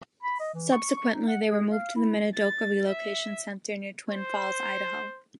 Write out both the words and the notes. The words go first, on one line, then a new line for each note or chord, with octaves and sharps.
Subsequently, they were moved to the Minidoka relocation center near Twin Falls, Idaho.
B5
D#5
E3
C#6
C#6
D#4
F#5
G#4
F5
E4
A6
E5
C5